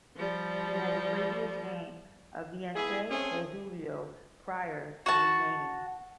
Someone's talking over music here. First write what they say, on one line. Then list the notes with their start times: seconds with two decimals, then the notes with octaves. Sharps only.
She had the previous name of Veinte de Julio prior to renaming.
0.17 F3 G3
2.76 B3 E4 G#4
3.10 A3 C4 C#4 G#4
5.06 F#4 A5